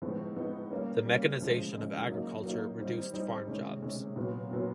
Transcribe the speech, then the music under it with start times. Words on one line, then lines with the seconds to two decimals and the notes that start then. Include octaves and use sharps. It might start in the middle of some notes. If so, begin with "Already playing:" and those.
The mechanization of agriculture reduced farm jobs.
0.02 A2 F3 G#3 B3 D#4
0.36 A2 F3 G#3 B3 D#4
0.71 G3 A#3 C#4
1.05 G3 A#3 C#4
1.40 C#3 F3 G#3
1.74 C#3 F3 G#3
2.09 F#3 A#3 D#4
2.43 F#3 A#3 D#4
2.78 D#3 G3 C4 D#4
3.13 D#3 G3 C4 D#4
3.47 C3 D#3 G#3 C#4
3.82 C3 D#3 G#3 C#4
4.16 A#2 F#3 B3
4.51 A#2 F#3 B3